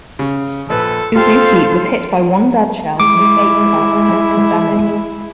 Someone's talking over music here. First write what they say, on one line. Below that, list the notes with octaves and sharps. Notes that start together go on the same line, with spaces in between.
"Uzuki" was hit by one dud shell and escaped without significant damage.
C#3
A#1 A4 B4
F4 A4 C5 F5 G5
G#3 E4 D6